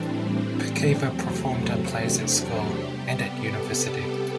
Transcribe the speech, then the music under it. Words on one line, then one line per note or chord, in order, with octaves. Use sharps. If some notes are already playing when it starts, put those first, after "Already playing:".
Pickhaver performed in plays at school and at university.
Already playing: A2 E3 G3 C4 D4
E2 C3 F#3 A3 C4
D4
G4
C3 G3 B3
A4